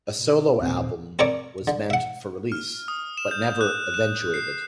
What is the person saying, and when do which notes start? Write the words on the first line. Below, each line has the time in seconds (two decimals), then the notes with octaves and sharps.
A solo album was meant for release but never eventuated.
0.16 B2
0.58 G#1 D#2 A#2 E3 A#3 C4
1.19 C4 A4 A#4 C#5 D5 A#5
1.67 D3
1.90 E5 F#5
2.52 F6
2.88 D#6
3.17 E7
3.31 G6
3.61 F#6
3.94 E7
4.34 C7